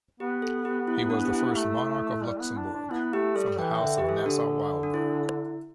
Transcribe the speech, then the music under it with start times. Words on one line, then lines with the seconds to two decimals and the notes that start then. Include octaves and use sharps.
He was the first monarch of Luxembourg from the House of Nassau-Weilburg.
0.20 B3 G4
0.42 A4
0.65 G4
0.88 E4
1.10 D4
1.25 G4
1.33 E4
1.56 A3
2.24 G3
2.40 B3
2.57 D4
2.74 D4
2.91 B3 E4
3.13 A3 G4
3.36 G3 A4
3.58 E3 G5
3.75 E5
3.81 D3
3.98 G4
4.04 E3
4.09 A4
4.26 D3 D4
4.83 D4
4.94 E4